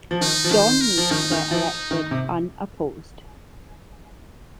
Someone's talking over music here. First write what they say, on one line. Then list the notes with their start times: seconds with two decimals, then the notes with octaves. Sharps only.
John Meade were elected unopposed.
0.11 F3
0.21 D#3 D#4
0.44 F3
0.51 D#3 C5
0.81 A#4
0.97 F3
1.11 D#3 D#4
1.31 D#3
1.51 F3
1.91 D#3
2.11 C3